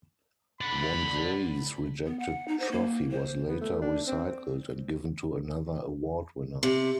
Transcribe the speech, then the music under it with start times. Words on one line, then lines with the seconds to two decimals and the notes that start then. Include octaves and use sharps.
Wandrei's rejected trophy was later recycled and given to another award winner.
0.61 D5 F#5 B5
2.06 B3
2.20 F#5
2.48 D#4
2.60 C5
2.71 A#3
3.11 C5
3.49 B3
3.61 A3
3.82 D4
4.07 C4
6.63 C3